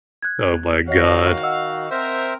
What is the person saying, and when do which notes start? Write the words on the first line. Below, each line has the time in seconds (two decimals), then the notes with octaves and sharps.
Oh my god.
0.22 F#6 G#6
0.88 D#3 F#4 C#5 D#5 F5 A#6
1.43 D#5 F#5 E6
1.91 C4 A#4 C5 E5